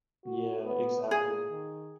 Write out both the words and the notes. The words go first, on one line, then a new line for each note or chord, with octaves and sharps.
Yeah, exactly.
F#4
B3
A#2 G#4
D#3